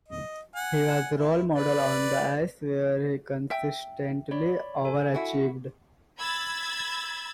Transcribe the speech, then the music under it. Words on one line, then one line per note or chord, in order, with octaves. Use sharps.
He was a role model on the ice where he consistently overachieved.
D#5
F#5 G#5
E4
B4 D5
E5 G5
C#5 D5 B5
A4 G#5
E4 F#4
B5 E6 G#6 A6